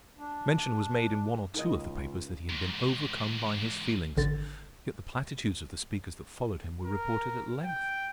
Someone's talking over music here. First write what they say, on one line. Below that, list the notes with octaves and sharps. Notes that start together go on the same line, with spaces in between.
Mention was made in one or two of the papers that he had been overcome by his feelings. Yet the platitudes of the speakers that followed him were reported at length.
D4
C#2 D#4 A#4 D#5
E2 G#2
G#1 D3 A6
A#4
G5